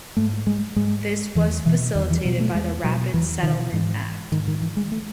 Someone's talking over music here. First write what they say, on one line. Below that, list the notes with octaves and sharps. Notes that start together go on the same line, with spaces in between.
This was facilitated by the Rapid Settlement Act.
G#2 A3
G#3
G#2 G#3
E2 E3
B2 E3
E2 D#3
E3
B2 F#3
A3
E2 G#3
B2 F#3
E2 E3
B2 D#3
G#2 E3
G#2 D#3
D#3
E3
G#3
A3